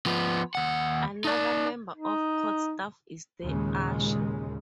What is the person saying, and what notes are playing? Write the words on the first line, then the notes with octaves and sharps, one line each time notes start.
Another member of court staff is the usher.
F3 B3
D#2 F#5
D#4 D5
D#4
D#2 A#2 C#3 G#3